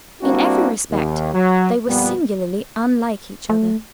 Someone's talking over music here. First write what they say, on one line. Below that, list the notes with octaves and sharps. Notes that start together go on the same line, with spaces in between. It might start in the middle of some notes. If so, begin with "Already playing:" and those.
In every respect they were singularly unlike each other.
G3 A#3 C4 D4 E4 F#4
D#2
F#3
F2 A#2 G3 B3
A3